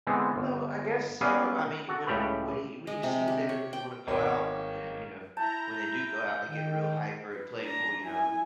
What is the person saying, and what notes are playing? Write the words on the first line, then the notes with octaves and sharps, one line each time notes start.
uh, well, I guess so. I mean, when it when he when you see that they really wanna go out and, uh, you know, when they do go out, they get real hyper and playful, you know.
D3 E3 G#3 B3 C4
G1
A#3 B3 C#4 E4 G#4 F5
F#4 A4
C#2 A2 G3 G4 A4 B4
G#3
C3
G4
C#5
G5
G#1 A#3 C#5
E4 A5 A#5 G6
D#3 G5
B4
D4 A#5
E4 G#5